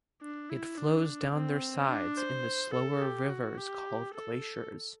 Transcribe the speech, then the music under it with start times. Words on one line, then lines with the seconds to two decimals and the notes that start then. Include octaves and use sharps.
It flows down their sides in the slower rivers called glaciers.
0.21 D4
0.50 E4
0.78 D4
1.34 C4
1.89 D4
2.17 C5
2.74 A4
3.02 G4
3.30 F#4
3.58 G4
4.14 A4